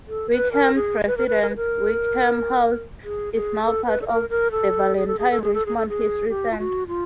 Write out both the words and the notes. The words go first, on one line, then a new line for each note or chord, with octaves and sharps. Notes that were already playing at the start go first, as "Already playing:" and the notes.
Wickham's residence, Wickham House, is now part of the Valentine Richmond History Center.
A4
B4
A#4
G#4
B4
A#4
B4
A#4
B4
A#4
G#4
G#4
A4
B4
A4
A#4
A#4
A4
G#4
A4
G#4
A4
G#4
A4
G#4
A4
G#4
G4
F4
F#4
F4